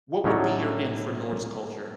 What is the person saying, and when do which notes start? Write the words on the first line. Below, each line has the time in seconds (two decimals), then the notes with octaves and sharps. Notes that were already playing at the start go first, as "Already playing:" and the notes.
what would be your in for Norse culture?
0.24 A2 F#3 C#4 D#4 C#5 D5